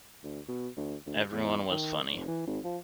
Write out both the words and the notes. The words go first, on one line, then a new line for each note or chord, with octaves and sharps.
Everyone was funny.
D2
B2
D2
D2
E2
D#3
F1
E3
G#1
F3